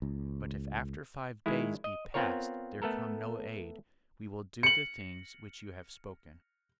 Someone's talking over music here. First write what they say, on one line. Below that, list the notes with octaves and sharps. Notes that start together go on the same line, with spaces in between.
But if after five days be past there come no aid, we will do the things which you have spoken.
C#2
D#3 G#3 E4
D#5
B3 C4 F4 A#4 C#5
A3 B3 A4 A#4
C#7 F#7